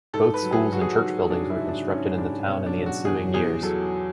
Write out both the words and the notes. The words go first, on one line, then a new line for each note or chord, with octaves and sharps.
Both schools and church buildings were constructed in the town in the ensuing years.
G#2 A4
B4
F#3
G#4
F#3 F#4
G#4
F#4
G#2
F#3 D4
E4
G#2
D4
G#2 C#4
G#2 D4
B2 C#4
D4
F#3
F#4
E2 G#4
E2 G#4
F#3 A4